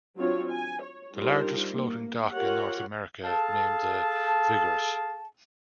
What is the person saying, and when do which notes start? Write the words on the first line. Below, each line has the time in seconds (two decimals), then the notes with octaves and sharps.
The largest floating-dock in North America named The Vigorous.
0.18 F#3 C4 D4 F4 C#5
0.51 G#5
0.82 C#5
1.15 G3 D4 D#4 F4 A#4 C5
1.72 A#3
2.32 F4 G4 A#4 C#5 F#5
3.24 G#4 A4 F5 A5